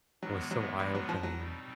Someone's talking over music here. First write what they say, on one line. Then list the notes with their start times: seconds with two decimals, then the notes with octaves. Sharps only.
was so eye-opening,
0.23 A2 E3 F#3 G#3 B3
0.51 F#3
0.79 G3
0.95 F#3
1.09 F3
1.23 F#3
1.37 B2 G3 C4 D#4